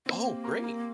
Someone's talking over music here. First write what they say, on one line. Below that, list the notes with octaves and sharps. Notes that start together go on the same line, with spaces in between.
Oh, great.
A#3 C4
G4
A#4
A#4